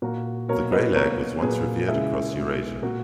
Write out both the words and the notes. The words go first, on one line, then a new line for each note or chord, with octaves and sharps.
The greylag was once revered across Eurasia.
A#2 A#3 F#4 A#4
B2 F#3 A#3 A#4 C#5
B4 D#5
B2 F#3 A#3 A#4 C#5
A#2 F#3 A#3 G#4 B4
C#3 G#3 E4 G#4
B2 G#3
A#2 A#3 F#4 A#4